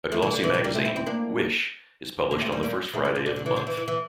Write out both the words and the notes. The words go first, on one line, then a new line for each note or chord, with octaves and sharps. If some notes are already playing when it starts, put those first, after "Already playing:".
A glossy magazine, "Wish", is published on the first Friday of the month.
F3 A3
E3
D3
E3
E3 G3
G3 A#3
A3 C4
C4 E4
C4 E4
A#3 D4
A#3 D4
A3 C4
G3 A#3
G3 A#3
F3 A3
E3 G3
D3 F3
D3
D3
E3
D3 F3
E3
E3
E3